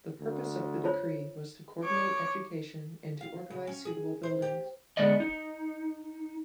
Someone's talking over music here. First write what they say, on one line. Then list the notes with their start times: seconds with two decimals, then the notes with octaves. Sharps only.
The purpose of the decree was to coordinate education and to organize suitable buildings.
0.20 D2
0.84 F4 C5 C#5
1.84 C#5 D6
3.21 F5
3.50 C#3
3.67 C#4
3.85 G#4
4.23 C5
4.42 G4
4.97 D3 G#3 B3 D5 D#5
5.20 D#4